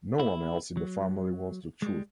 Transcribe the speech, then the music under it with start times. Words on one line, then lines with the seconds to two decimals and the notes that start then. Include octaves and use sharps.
No one else in the family wants the truth.
0.20 E4
0.77 F#3
1.82 G3 G#3